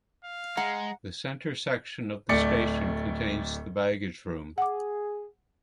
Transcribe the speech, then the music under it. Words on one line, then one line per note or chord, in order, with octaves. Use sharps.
The center section of the station contains the baggage room.
F5
G#3 F#5 A#5
D1 A3 D5 C#7
G#4 F#5 D6